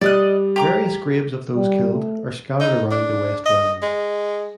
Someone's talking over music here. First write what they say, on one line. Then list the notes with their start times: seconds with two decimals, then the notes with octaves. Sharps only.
Various graves of those killed are scattered around the West Rand.
0.01 G3 D5 D#5 F#6
0.56 G4 A#5 D6
1.56 G3
1.93 A3
2.60 D#4
2.91 D4
3.46 D#5
3.82 G#3